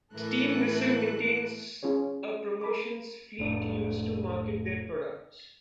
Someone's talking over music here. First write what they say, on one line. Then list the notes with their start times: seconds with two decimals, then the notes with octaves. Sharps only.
Steam Whistle maintains a promotions fleet used to market their products.
0.14 A2 E3 A4 A#4 F#6
1.83 C#4 F4 G#4 C#5
2.61 A#4 B5 D6
3.38 F1 A2 D4